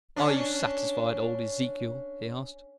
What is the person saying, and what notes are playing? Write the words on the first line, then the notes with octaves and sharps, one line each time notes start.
"Are you satisfied, old Ezekiel?" he asked.
C#4 D4